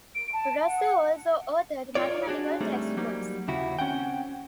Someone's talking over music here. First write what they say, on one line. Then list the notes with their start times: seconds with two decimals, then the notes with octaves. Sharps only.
Rosser also authored mathematical textbooks.
0.15 D7
0.33 A5
0.66 F#5
1.95 F4 C#5 D5
2.27 D4 F#4 G#4
2.61 G3 A3 C4 D4 D#4 G#4
2.97 F#3 G3 A#3 D#4
3.48 D#2 C#3 E4 F#4
3.79 C4 C#4 F#5 G5